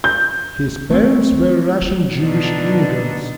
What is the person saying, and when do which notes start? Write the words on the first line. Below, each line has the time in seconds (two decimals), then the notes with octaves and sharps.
His parents were Russian Jewish immigrants.
0.04 G6
0.91 A3 B3 C4
2.19 B2 D3 D4 D#4